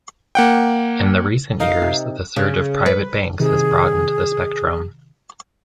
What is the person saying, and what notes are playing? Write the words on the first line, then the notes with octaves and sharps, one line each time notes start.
In the recent years, the surge of private banks has broadened the spectrum.
A#3 F#5 G5
D#4 A#4 F5
C3
C#3
B4
C3 D#3 G#4